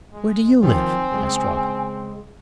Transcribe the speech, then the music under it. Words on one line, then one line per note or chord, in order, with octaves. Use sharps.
"Where do you live?" asked Robin.
G#3
D#3 F3 C4 G#5
C#3 G#3